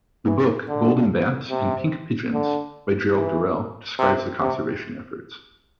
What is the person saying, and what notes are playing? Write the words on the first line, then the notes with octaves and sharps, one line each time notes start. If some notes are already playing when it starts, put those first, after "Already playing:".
The book "Golden Bats and Pink Pigeons" by Gerald Durrell describes the conservation efforts.
E3
D3
C3
D3
E3
C3
C3